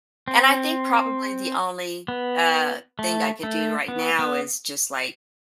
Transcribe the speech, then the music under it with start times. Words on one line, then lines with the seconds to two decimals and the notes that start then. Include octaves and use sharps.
And I think probably the only, uh, thing I could do right now is just like
0.28 C4
2.08 B3
2.99 A3
3.43 A3
3.88 B3
4.19 B3